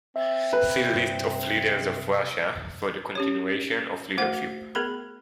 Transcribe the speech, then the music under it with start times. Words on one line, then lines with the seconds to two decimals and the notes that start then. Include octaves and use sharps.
See List of leaders of Russia for the continuation of leadership.
0.16 C4 E5
0.53 B4
0.93 C2 G2
3.15 C#4 G4 C#5
4.17 A3 F#4 C5 F#5
4.75 B3 G#4 A#4 B5